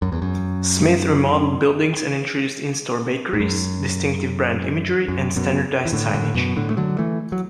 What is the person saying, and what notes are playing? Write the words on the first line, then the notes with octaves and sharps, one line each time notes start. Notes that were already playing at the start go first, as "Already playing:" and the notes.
Smith remodeled buildings, and introduced in-store bakeries, distinctive brand imagery, and standardized signage.
F#2
E2
F#2
A2
F#2
F#2
F#2 B2
E3
A2 D3
A2 D3
F#2 B2
A2 D3
A3
D3 F#3
E3 A3
F#3